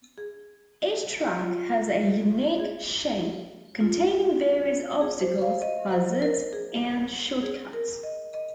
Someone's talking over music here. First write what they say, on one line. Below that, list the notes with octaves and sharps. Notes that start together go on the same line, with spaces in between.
Each track has a unique shape, containing various obstacles, hazards, and short-cuts.
G#4
F4
G#4
F4
G#4
C5
F5
D#5
C5
A#4
G#4
G#4
A#4
D#5
D#5